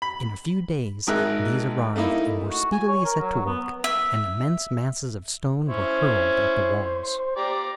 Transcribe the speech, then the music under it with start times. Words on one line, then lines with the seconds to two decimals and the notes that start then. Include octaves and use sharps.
In a few days these arrived and were speedily set to work, and immense masses of stone were hurled at the walls.
0.02 B5
1.07 G#1 G#3 D#4 A#4 E5 F#6
1.96 A3 A#3 D#4 E4
2.51 F#4
2.72 G#5
2.88 C#5
3.05 A#4
3.20 F#3
3.33 F#3
3.46 B3
3.84 E5
5.69 C#4 E4 C5 C#5
7.36 G4 D5 A#5